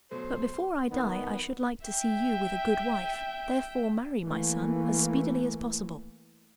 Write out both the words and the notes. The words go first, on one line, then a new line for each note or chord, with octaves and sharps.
But before I die I should like to see you with a good wife; therefore marry, my son, as speedily as possible.'
B2 F#3 A3 C5
C6
D#3 F#3 B3
E5 G5
E3 A3 A#3